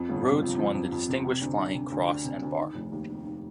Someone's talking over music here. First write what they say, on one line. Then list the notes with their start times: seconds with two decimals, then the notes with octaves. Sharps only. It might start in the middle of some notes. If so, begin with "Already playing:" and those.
Rhodes won the Distinguished Flying Cross and Bar.
Already playing: F2 F3
0.09 G1
0.26 C3
0.42 F3
0.58 F3
0.74 F2
0.92 F2
1.08 C3
1.25 C3
1.41 D2
1.58 D4
1.74 C3
1.92 D2
2.08 D4
2.24 C3
2.42 D2
2.59 D#3
2.74 F1
2.92 D#2
3.08 D#3
3.25 D#3